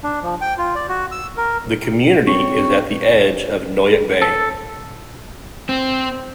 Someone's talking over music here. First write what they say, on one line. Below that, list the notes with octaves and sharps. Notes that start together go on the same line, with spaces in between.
The community is at the edge of Noyac Bay.
D4
F3
G5
F4
D5
F#4
E6
A#4
C4 C#5 C#6
A4
C4